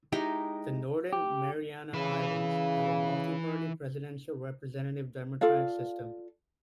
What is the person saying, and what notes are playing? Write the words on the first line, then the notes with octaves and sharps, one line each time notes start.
The Northern Mariana Islands have a multiparty presidential representative democratic system.
G#3 D#4 E4 G4
G4
C#3 E3 B4
F4 A4 D5 F5